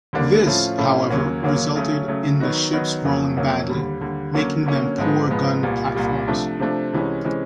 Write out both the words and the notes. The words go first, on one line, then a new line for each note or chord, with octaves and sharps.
This, however, resulted in the ships rolling badly, making them poor gun platforms.
D#2 D3 G3 A#3 D4
A2 F3 A3 C#4 F4
A2 F3 A3 C#4 F4
D#2 C#3 F#3 A#3 C#4
D#2 C#3 F#3 A#3 C#4
C#3 F#3 A3 C#4
C#3 F#3 A3 C#4
D#3 F#3 B3 D#4 F#4
D#3 F#3 B3 D#4 F#4
F2 C#3 F#3 A#3
F2 C#3 F#3 A#3
D#2 D3 G3
D#2 D3 G3
D3 F#3 A#3 C#4
D3 F#3 A#3 C#4
G#2 F3 G#3 B3
G#2 F3 G#3 B3
C2 A#2 G3
C2 A#2 G3
C3 F3 A3 D4
C3 F3 A3 D4
C2 C3 E3 G#3 C#4
C3 E3 G#3 C#4